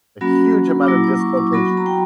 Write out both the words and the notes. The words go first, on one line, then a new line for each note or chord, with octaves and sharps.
a huge amount of dislocation.
F#3 A#3 C#4 F#4 B5
D6
F#3 A#3 E4 E6
D6
C#6
D6
F#3 B3 F#4 B5
A#5
G5